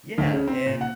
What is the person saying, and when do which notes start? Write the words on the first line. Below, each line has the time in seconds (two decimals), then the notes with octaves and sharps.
Yeah, and
0.18 D2
0.33 C#3
0.48 C4
0.66 A#2
0.81 F#5